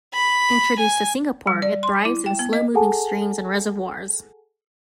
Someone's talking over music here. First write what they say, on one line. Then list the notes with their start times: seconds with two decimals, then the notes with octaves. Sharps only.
Introduced to Singapore, it thrives in slow-moving streams and reservoirs.
0.14 B5
0.80 G#5
1.47 G3
1.62 D5
1.83 C6
2.05 E4
2.26 G5
2.39 B3
2.53 D#5
2.75 G#4 A4 F#5 G#5 A5